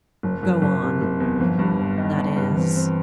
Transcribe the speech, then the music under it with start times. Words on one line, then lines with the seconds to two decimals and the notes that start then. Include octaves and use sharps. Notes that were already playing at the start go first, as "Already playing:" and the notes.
"Go on--that is?"
0.23 F#1 F#3
0.43 F#1 F#3
0.62 F#1
0.82 C3
1.01 F#1
1.20 E2
1.40 G1 F3
1.59 G2
1.79 G1
1.98 D#3
2.17 G1
2.36 G2
2.51 D#3
2.56 E3 C4
2.76 C4